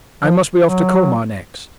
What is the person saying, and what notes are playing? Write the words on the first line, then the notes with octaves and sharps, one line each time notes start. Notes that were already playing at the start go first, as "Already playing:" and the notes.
'I must be off to Colmar next.'
F3
F#3